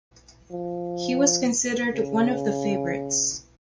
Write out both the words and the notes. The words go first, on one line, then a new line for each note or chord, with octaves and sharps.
He was considered one of the favourites.
F3
C#3